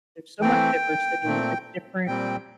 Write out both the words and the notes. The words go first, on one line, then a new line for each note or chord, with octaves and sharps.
there's so much diversity that different
E3 A3 C4 G5
A#2 A3 C4
A#2 G3 C4 G5